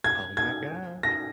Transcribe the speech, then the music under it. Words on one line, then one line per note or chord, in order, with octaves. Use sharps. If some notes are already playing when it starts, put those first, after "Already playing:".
Oh my gosh,
G#6
G#6
A#6